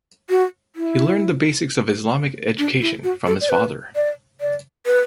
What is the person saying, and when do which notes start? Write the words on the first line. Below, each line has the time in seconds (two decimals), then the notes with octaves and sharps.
He learned the basics of Islamic education from his father.
0.30 F#4
0.76 E4
2.58 D4
2.81 E4
3.04 F#4
3.26 A4
3.41 D5
3.50 B4
3.96 D5
4.41 D5
4.86 B4